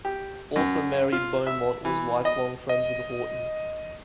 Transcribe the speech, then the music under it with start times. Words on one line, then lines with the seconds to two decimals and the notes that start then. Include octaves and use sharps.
Author Mary Beaumont was lifelong friends with Horton.
0.05 G4
0.56 F#2
1.12 F4
1.47 E5
1.85 E3
2.25 D#5
2.69 D#5